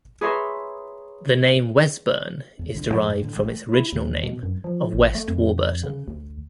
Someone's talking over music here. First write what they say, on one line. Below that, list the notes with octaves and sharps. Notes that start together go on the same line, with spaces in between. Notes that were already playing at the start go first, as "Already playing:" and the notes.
The name Wesburn is derived from its original name of West Warburton.
G#4 B4 C#5 E5 A#5 C6
E2
C2 D3
G2 A#2 F3 A3
F#2 A2
A2 D3
D1 A1 G#3 A3
E4
D#2
B2
F#2
F3
A1
A3
F2
C#3
D2